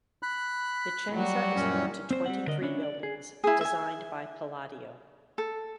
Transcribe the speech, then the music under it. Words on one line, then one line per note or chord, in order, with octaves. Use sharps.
Vicenza is home to twenty-three buildings designed by Palladio.
B5 F#6
F#3 G3 F#4
F#2 A#2 C#4
C4 C5
G3 C4 F#5
D3 D4 A#4 D5 D#5
C#4 D4 E4 C#5
D5
G#4
E4 G#4
E5 G#5
A4